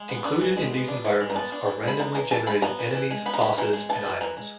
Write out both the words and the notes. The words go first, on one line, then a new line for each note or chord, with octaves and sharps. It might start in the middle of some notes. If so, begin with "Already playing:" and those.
Included in these environments are randomly generated enemies, bosses and items.
Already playing: G#3
B3
D4
E3
G#3
B3
D4
E3
G#3
A#5
B3 A5
D4
E3
G#3 B5
B3 A#5
E3 A#5
E3 A5
G#3 B5
B3 A#5
E3
E3
G#3
B3 B5
A#5
E3 B5
E3 A#5
G#3
B3 A5
E3
E3 A#5
G#3